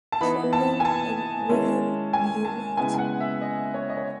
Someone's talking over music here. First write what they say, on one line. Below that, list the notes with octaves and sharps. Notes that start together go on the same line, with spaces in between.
Trumbull and William Beaumont.
A5
E3 B3 D#4 B5
A5
G#5
A5
D#3 G#3 C#4 E4
G#5
A5
C#3 G#3 B3 E4 G#5
G#5
F#5
E5
D#5
C#5
D#5
C#5